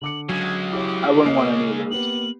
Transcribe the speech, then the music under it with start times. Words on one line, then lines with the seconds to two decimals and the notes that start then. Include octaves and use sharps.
I wouldn't want any of those.
0.02 D3 D6 C#7 F#7
0.29 C#3 F#3 G#3 G#6
0.72 E4 G4 C#5 D6
1.26 A#3 C#5 D#5 C7
1.91 B3 G4 F#7